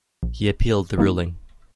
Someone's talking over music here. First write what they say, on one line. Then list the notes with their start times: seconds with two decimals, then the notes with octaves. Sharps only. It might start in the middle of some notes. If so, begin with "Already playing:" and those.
He appealed the ruling.
0.23 A#1
0.98 E3 G3 A#3 D#4